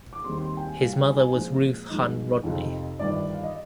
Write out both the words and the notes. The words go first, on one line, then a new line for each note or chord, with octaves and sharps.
His mother was Ruth Hunn Rodney.
D6
D#2 D#3 G3 C4 C6
C6
G5
G#5
C2 C3 G3 F5
G5
G#5
G#5
A#1 A#2 F3 G#3 C4 C5
G2 F3 G#3 D#4
F2 C3 F3 C4 D#4
G1 G2 D#3 D5
F5
D#5